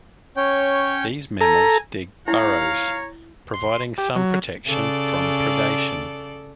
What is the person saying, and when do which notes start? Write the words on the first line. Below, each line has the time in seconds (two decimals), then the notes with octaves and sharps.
These mammals dig burrows, providing some protection from predation.
0.37 C#4 C#5 G5
1.41 A4 G#5 A#5
2.28 E4 C#5 F5 A#5
3.54 C6
3.98 G4
4.15 F#3
4.66 C#3 A4 D5